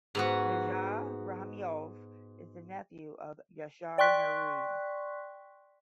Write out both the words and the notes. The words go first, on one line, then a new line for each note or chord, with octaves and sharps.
Nijat Rahimov is the nephew of Yashar Nuri.
G#2 B3 F#4
D5 G5 C6 C#6 F#6 B6